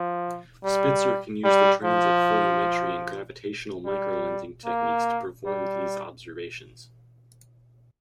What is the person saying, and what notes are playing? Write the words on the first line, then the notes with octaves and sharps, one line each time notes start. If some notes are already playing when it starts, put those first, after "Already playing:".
"Spitzer" can use the transit photometry and gravitational microlensing techniques to perform these observations.
Already playing: F3
G3
G3
F3
G3
A#3
G3